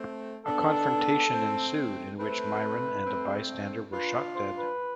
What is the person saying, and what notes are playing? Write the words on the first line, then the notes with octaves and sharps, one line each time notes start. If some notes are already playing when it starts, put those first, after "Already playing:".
A confrontation ensued in which Myron and a bystander were shot dead.
Already playing: A3 C4
B3 D4 A4
A3 C4
A3 C4 B4
A3 C4
D4 F4 B4
C5
B4